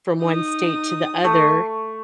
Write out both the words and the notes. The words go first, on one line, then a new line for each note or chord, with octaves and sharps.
from one state to the other,
D#4 D#6
A3